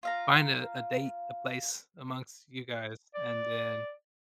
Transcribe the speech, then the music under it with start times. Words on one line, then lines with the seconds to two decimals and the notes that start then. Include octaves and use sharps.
find a a date, a place amongst you guys and then
0.03 F4 F5 A#5
3.15 D5